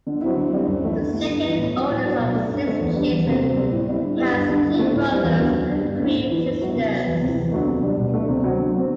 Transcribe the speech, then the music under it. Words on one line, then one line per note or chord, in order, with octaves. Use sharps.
The second oldest of six children, he has two brothers and three sisters.
D3
F#3 C4 E4
D3
G3 C4 E4
F#2
E3 A3 E4
D3
A3 E4
G2
E3 B3 E4
A2
F#3 C4 E4
A2
F#3 B3 D4
B2
A3 D4
G2
D3 A3 C4
E2
D3 G3
E2
C3 F#3 C4
C3
G3 C4
A2
G3 C4 E4
D3
G3 B3 E4
G2
D3 G3 D4
D3
A3 C4
A2
G3 C4 E4
E2
D3 F#3 C4
D3
G3 D4
G2
D3 A3 C4 E4
A2
E3 B3 E4
G2
F#3 B3 E4
C3
F#3 B3
E2
C3 E3
E2
D3 F#3 A3
C3
G3 D4
B2
A3 D4
C3
F#3 C4
D3
F#3 C4